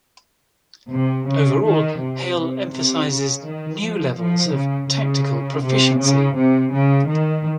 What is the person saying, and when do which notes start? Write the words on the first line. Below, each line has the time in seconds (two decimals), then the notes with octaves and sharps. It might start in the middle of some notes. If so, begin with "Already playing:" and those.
Overall, Hale emphasizes new levels of tactical proficiency.
0.91 C3
1.28 C#3
1.64 D#3
2.00 C3
2.37 C3
2.73 C3
3.10 C#3
3.46 D#3
3.81 F3
4.18 F3
4.54 C#3
4.90 C#3
5.64 C3
5.99 C#3
6.36 C3
6.73 C#3
7.08 D#3